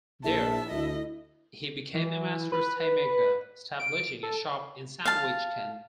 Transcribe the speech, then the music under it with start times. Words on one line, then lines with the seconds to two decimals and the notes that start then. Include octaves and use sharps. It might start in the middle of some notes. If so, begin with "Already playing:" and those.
There, he became a master stay-maker, establishing a shop in Sandwich, Kent.
0.24 A#1 E4 E5 A5
0.70 D2 D#5
1.94 E3
2.52 B4
3.79 D7
4.23 A4
5.06 F5 A5